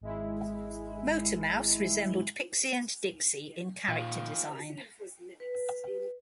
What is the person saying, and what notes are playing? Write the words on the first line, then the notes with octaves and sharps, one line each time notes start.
Motormouse resembled Pixie and Dixie in character design.
G#1 G#3 E4
A#2 D#3 F4
B4